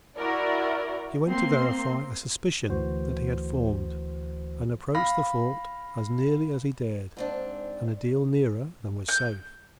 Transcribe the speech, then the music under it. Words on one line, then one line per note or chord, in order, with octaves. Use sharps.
He went to verify a suspicion that he had formed, and approached the fort as nearly as he dared and a deal nearer than was safe.
E4 F#4 A#4 D5
A#3 C4 C6
D2 E3 F#4 C5
F5 B5 A#6
G#2 C4 D4
G6